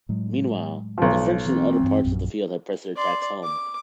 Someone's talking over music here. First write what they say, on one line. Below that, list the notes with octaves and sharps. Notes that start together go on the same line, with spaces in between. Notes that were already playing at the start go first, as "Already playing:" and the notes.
Meanwhile, the French in other parts of the field had pressed their attacks home.
A2 F#3 G#3
B1 F3
E3 C4
G2 E3
A#1 F#2
D5 C6
D6